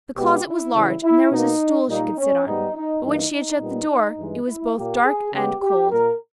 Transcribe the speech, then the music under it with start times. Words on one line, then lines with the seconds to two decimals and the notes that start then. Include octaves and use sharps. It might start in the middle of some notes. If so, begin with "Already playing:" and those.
The closet was large, and there was a stool she could sit on; but when she had shut the door, it was both dark and cold.
0.17 B2 G#3 B3 G4
0.46 E4
0.74 C#3 E3 G3
1.03 E4
1.32 B2 A#3 D#4
1.89 A#2 G3 A#3 D#4
2.18 C#4
2.46 G#2 G3 B3 D#4
2.75 D#4
3.03 G2 E3 A#3 D#4
3.32 D#4
3.61 A#2 G3 B3
4.18 G2 E3 G#3
4.47 E4
4.75 A#2 A#3 G4
5.04 G#4
5.32 C#3 G#3 B3 G4
5.62 G4
5.91 A#2 A#3 A#4